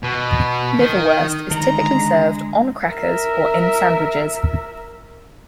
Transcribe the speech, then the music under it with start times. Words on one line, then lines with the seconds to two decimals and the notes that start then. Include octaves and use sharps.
Liverwurst is typically served on crackers or in sandwiches.
0.03 B2
0.79 D#3
1.51 D3 D#3 G#3 A#5
2.85 A#4 E5